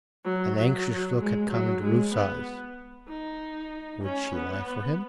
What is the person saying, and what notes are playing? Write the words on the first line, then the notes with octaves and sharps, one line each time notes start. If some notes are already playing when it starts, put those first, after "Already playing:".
An anxious look had come into Rufe's eyes--would she lie for him?
F#3
F#3
G#3
F#3
G#3
B3
D#4
C#4
B3